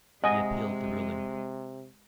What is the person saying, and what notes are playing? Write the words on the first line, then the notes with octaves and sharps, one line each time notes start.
He appealed the ruling.
C3 G#3 D#5 F#5 G#5